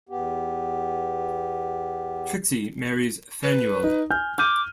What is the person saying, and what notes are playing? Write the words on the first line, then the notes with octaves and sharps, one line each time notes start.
Trixie marries Fanuel.
E2 B3 G4
B4
D#4
G#5 F6 G6
D6 F6 G6 D#7